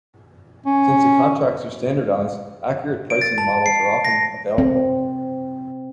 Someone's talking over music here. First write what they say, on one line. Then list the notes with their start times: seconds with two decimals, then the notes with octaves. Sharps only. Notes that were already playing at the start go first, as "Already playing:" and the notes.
Since the contracts are standardized, accurate pricing models are often available.
0.66 C#4
3.10 D7
3.21 A6
3.38 A5
3.66 C7
4.05 A#6
4.58 C4